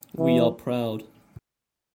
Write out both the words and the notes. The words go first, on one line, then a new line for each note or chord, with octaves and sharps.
We are proud.
E3